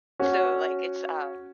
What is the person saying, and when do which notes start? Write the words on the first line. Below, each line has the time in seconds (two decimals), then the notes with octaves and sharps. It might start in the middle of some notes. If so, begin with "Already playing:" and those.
So like it's, um,
0.19 C#4 F#4